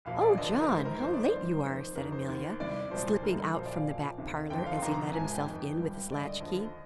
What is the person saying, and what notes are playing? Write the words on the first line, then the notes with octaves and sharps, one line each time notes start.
"Oh, John, how late you are!" said Amelia, slipping out from the back parlour as he let himself in with his latch-key.
A#1 A#2 F3 F5
D5
F1 D#2 D3 F3 D#5
A#4
A#1 G#2 D#3 C5
A#4
G1 F2 D#3 C5
D5
C5
G#1 G2 D#3
F1 F2 D#3 C5
F1 F2 D#3 A#4
C5
D#2 D#3
C2 C3 D#3 D5
C2 A#2 F3 C5
G1 G2 D3 A#4
A#1 A#2 F3 C5
D5
F5
A#1 A#2 F3
D2 C3 D#3
F1 F2 D3 F3 G5
F5
C6
F1 F2 C3 D#3 A#5
G#1 G#2 F3 G#5
G#5
G5
F1 F2 D#3
G#1 G2 F3
G#1 G2 D3 D5
D#5
D#2 D3 F3